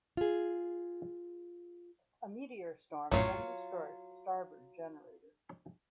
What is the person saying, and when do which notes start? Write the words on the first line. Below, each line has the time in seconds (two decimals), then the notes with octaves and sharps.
A meteor storm then destroys the starboard generator.
0.17 F4 G#4
3.11 A#1 F#2 A2 F#3 F4 C#5